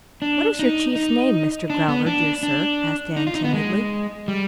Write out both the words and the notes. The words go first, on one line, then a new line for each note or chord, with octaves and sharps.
"What is your Chief's name, Mr. Growler, dear sir?" asked Ann timidly.
D4
D#4
D#4
D4
B3
D4
D4
D#4
F4
D#4
B3
G#3
G3